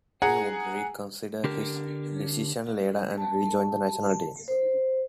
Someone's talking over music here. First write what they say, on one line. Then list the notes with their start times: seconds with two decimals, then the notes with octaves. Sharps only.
He would reconsider his decision later and rejoin the national team.
0.22 G#4 F#5 G#5 A#5
1.44 D3 G4 A#4
3.18 A5
4.48 C5